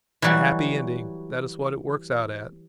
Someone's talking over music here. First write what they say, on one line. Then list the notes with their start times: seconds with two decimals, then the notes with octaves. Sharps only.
A happy ending, that is what it works out at.
0.22 E3 F#3 G3 F#4